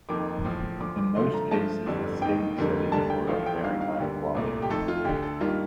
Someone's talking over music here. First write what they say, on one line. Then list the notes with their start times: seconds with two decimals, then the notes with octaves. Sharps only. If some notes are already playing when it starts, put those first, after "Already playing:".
In most cases the stage settings were of very high quality.
0.09 F1 F2 D#3 A#3 D6
0.45 A#1 A2 F3
0.80 D2 D3 F3 D6
0.98 D6
1.15 G2 D3 F3 A3 C6
1.34 A#5
1.51 G2 F3 A3 A5
1.86 G1 F2 D3 G3
2.22 F1 D#2 D#3 G5
2.57 F1 F2 D3 G3 A#3
2.92 D2 D3 G3 A#3 A5
3.10 G5
3.28 A1 A2 F3 A3 F5
3.46 G5
3.64 G1 G2 D#3 G3 F5
3.81 F5
3.99 D2 D3 G3 A#3 G4
4.35 C2 A#2 A3
4.62 G4
4.70 F2 D#3 A3 A4
4.88 F4
5.05 D2 D3 A3 G4
5.23 A4
5.41 G2 D#3 G3 A#3 F4